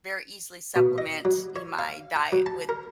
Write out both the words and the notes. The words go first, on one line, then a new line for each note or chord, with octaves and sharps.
very easily supplement in my diet with
B2
D#5
F#3
C#5
F5
G5
F#3
A5
A#4